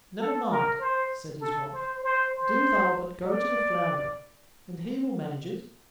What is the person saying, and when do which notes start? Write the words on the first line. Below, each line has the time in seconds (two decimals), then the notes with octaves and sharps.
"Never mind," said his wife; "do thou but go to the flounder, and he will manage it."
0.19 A4
0.50 A#4
0.80 C5
1.41 A4
1.73 C5
2.03 C5
2.34 C5
3.26 D5